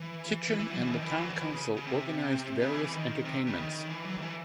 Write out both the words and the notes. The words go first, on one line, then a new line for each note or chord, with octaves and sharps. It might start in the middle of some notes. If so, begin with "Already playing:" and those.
Kitchin and the town council organised various entertainments.
Already playing: E3
E3
E3
F#3
E3
C#3
D#3
E3
F#3
E3
C#3
C#3
C3
C#3
E3
E3
D#3
C3
C#3
D#3
E3
F#3
D#3
E3